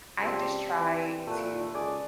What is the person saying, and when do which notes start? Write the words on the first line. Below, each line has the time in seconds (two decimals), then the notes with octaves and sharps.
I just try to
0.20 C#2 G3 C4 A5
0.78 E3
1.27 A#2 A3 B4
1.75 C#2 G#4 D5